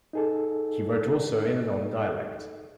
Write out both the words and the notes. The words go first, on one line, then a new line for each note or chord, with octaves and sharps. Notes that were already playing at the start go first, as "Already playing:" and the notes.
He wrote also in and on dialect.
D#4 G#4 A4